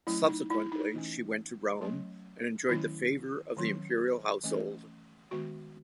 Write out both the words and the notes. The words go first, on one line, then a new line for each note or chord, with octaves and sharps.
Subsequently she went to Rome and enjoyed the favor of the imperial household.
F#3 A3 C#4 E4
D#4
E4
D#4
E3 A3 C#4
F#3 A3 C#4
D#3 F#3 A3 C#4 E4
D#3 F#3 C#4
E3 A3 C#4
D#3 G#3 B3 F#4